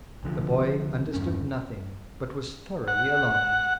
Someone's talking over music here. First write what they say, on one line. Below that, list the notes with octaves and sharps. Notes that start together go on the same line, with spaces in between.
The boy understood nothing, but was thoroughly alarmed.
C2 D3 F3
E2 G2 C#4
F#5